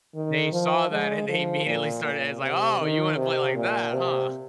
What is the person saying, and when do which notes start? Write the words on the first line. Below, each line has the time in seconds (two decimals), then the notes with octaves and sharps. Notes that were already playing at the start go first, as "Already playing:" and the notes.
They saw that, and they immediately started as like, "Oh, you wanna play like that, huh?"
0.15 D#3
0.53 F3
0.91 G#3
1.29 F3
1.66 A#2
2.04 A#2
2.42 C3
2.80 D#3
3.17 C3
3.56 A#2
3.93 C3